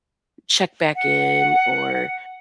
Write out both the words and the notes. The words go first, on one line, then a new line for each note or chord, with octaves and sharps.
check back in, or,
F#5